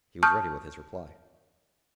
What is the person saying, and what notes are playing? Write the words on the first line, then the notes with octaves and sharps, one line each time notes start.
He was ready with his reply.
A5 C#6 D#6 F6 G6